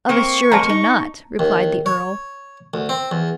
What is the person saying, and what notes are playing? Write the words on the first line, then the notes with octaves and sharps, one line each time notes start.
"Of a surety not," replied the earl.
A#3 C4 C#6
F2 A#3 A5 A#5
D#4
D#2
C#5
D2
C4
E2